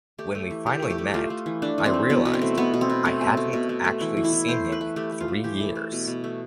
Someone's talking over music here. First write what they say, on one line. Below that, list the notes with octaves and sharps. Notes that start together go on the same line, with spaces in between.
When we finally met, I realized I hadn't actually seen him in three years.
A3 G4
A3
E3
A3 G4
A3
G4
A3
A3 F4
A3
E3
A3 D4
E3
C4
A3
B2 B3
B2
C4
A3
B2 B3
B2
C4
B2
A3 C4
B2
A3
B2
A3
A3
E3 E4
E3
E4
E3
A3 C5
E3
B4
A3
A3 G4
A3
F4
A3
E3 G4
A3
A3
B2
B2
A3